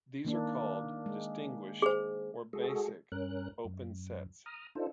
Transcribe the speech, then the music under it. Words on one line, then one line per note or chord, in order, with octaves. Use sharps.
These are called "distinguished" or "basic" open sets.
D#3 A#3 D4
G#3
G#4 C5
G#3 F#4 G#4 A4
G2 C#4 A#4 F#6
F#2
A#5 D#6 F6
D4 D#4 F4 A4 C5